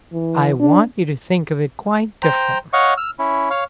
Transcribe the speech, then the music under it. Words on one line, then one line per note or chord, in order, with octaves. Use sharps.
I want you to think of it quite differently.
E3
D4
C5 G5 A#5
C#5 D#5 F5 F#5 C#6
E6 F6
C#4 E4
C#5 F5